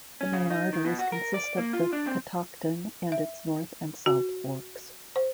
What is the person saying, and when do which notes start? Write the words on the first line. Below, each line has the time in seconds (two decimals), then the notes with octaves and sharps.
The main arteries consist of the Catoctin and its North and South Forks.
0.21 C#4
0.34 C#3
0.50 D#4
0.73 D#3
0.85 B2
0.99 F#4
1.12 A#4
1.34 D5
1.58 A#3
1.73 F4
1.93 D4
2.07 C4
3.12 E5
4.06 F#4
5.16 C5